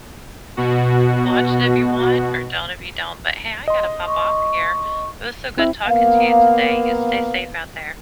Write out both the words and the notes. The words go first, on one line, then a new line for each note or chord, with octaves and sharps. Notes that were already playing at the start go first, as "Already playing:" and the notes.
Watch it if you want or don't if you don't. But, hey, I gotta pop off here. It was so good talking to you today. You stay safe out there.
B2 F#4
D#5 C6
C#6
C4 E4 E5
A#3 B3 F5